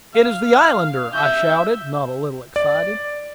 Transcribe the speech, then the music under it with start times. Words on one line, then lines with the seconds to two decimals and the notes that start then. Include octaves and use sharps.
"It is the Islander!" I shouted, not a little excited.
0.14 F5
1.13 E5 G6
2.56 D5